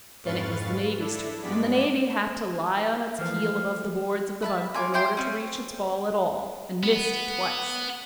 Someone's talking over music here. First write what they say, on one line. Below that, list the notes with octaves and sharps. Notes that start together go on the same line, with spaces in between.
Then it was the Navy's turn, and the Navy had to lie on its keel above the boards of the bunker, in order to reach its ball at all, and missed it twice.
F2 G#2 B4 F5 C#6 A6
D4 E4 A4
G2 G#3 B3 D5 B6
E3 F3 A3 F5
B4 E5 A5
F4 G#5 D6
E4 C5 G5 C6
C4 C#4
B3